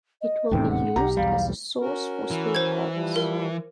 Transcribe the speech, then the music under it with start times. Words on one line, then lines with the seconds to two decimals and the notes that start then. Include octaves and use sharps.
It will be used as a source for spare parts.
0.21 D#5
0.51 D#1 A1 E2 C3 D#4 A4 G5
0.70 F#5
0.96 B1 G4 A#5
1.17 B1 E2 G3 F5
1.81 C#4 F#4 A#4
2.31 E3
2.55 C5 G#6
2.93 F3 G3
3.16 A#4